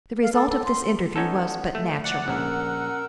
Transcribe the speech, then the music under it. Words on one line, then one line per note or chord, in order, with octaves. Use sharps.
The result of this interview was but natural.
F5
A4
A4
C6
B3 C#4 D#4 A4
A3
D5 F#5
A#1 C#4 A#4 E6